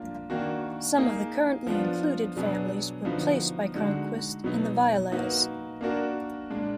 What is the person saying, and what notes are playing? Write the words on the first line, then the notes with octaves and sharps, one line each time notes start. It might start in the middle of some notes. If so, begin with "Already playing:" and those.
Some of the currently included families were placed by Cronquist in the Violales.
Already playing: A#3 D4 F4
D#3 A#3 D4 F#4
A#3 D#4 G#4
F3 B3 D4 F4
B2 F#3 B3 D4 G#4
D3 F3 B3 D#4 F#4
D3 G#3 D#4 F#4
B2 F#3 B3 D#4
A#3 D#4 F#4 B4
A#3 D4 F#4 A#4
A#2 G#3 D4